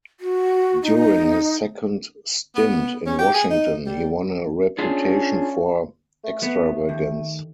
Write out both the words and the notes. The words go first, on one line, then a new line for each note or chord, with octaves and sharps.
During his second stint in Washington, he won a reputation for extravagance.
F#4
D#4
B3
C#4
G4
G#4
D#4
G3
C#4 D4 F4 G#4
A3
A3 B3
D#2